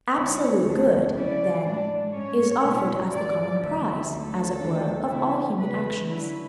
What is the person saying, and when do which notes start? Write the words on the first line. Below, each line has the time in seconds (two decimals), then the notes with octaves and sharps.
Absolute good, then, is offered as the common prize, as it were, of all human actions.
0.15 D3 G#3 C#4 E4 C#5
0.65 D2 D3 A3 D4
1.13 C#3 F#3 C#4 E4 D5
1.64 A2 G#3 D4
2.13 G#2 G#3 C#4 C#5
2.62 B2 G#3 C#4 E4
3.11 G#2 E3 G#3 D5
3.61 D3 F#3 A3 E5
4.10 D2 D3 A3 A4
4.59 D2 C#3 E3 G#3 D4
5.09 C#3 E3 B3 E4
5.58 E2 C#3 G#3 B4
6.07 D3 F#3 C#4 E4 B4